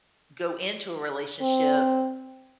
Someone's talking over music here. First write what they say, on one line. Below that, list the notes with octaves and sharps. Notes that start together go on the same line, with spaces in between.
go into a relationship,
C4